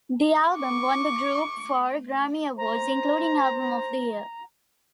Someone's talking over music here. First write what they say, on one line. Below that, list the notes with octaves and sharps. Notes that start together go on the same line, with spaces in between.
The album won the group four Grammy Awards, including Album of the Year.
C#6 D6
C5 A#5